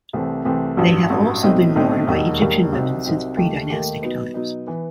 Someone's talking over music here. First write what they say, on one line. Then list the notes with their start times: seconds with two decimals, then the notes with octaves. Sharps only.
They have also been worn by Egyptian women since predynastic times.
0.13 C2 C3 E3 A3 C4
0.45 C2 C3 E3 A3 C4
0.77 A1 G2 F#3
1.10 A1 G2 F#3
1.42 B1 A2 F#3 C4 D#4
1.76 B1 A2 F#3 C4 D#4
2.07 E1 D#2 D#3 G3 D#4
2.40 E1 D#2 D#3 G3 D#4
2.72 C2 C3 F#3 C4 D#4
3.05 C2 C3 F#3 C4 D#4
3.37 D#2 D#3 A3 D#4 G4
3.70 D#2 D#3 A3 D#4 G4
4.02 B2 F#3 B3 D#4
4.34 B2 F#3 B3 D#4
4.67 E3 B3